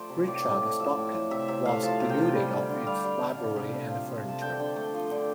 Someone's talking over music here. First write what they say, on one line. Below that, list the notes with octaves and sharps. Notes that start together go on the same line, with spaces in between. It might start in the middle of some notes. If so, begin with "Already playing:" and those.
Richard Stockton, was denuded of its library and furniture.
Already playing: F3 A3 C5 D5
C3
A2 D5
A2
A3
F3 E5
A2
A2
C3 E5
C3 E5
A3 F5
F3 A5
C3
G5
C3
G3
D3
D3
G3 F5
G3
D3
C3
C3
A3
F3
C3
C3 A5
D3 G5
D3
A3
F3
D3